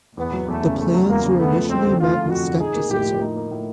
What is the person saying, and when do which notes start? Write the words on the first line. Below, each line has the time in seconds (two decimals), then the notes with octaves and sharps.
The plans were initially met with scepticism.
0.17 E2 B3
0.33 F#3
0.48 E2 A3
0.64 C#3
0.78 E2 A3
0.94 F#3
1.08 E2 A#3
1.23 C#3
1.39 A3 B3
1.54 F3
1.69 F2 C4
1.85 D3
1.99 A3 F4
2.15 F3
2.29 F2 F#4
2.45 D3
2.59 D#4 G#4
2.75 A#3
2.90 A2 G4
3.06 F3
3.21 D#4
3.36 A#3
3.51 A2